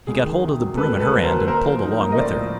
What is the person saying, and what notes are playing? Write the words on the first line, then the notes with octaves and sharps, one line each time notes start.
He got hold of the broom at her end and pulled along with her.
D2 G#4
D#3
C3
F#3
D2 A4 B4
D2
A4 B4
F#3
A#4 C5
D2
A#3 A#4 C5
F3
D#4
A#3
D#5
A2 C5 D5
F3